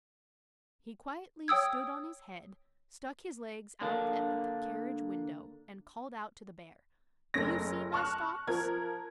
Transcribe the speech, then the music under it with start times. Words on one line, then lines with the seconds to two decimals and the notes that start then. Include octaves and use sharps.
He quietly stood on his head, stuck his legs out at the carriage window and called out to the bear, 'Do you see my stocks?
1.48 C#5 G5 D#6 E6 G#6
3.81 D3 A#3 D4
7.34 F#1 A3 C#4 A#6
7.92 A5 C#6 F6 F#6
8.47 F3 A#4 G#6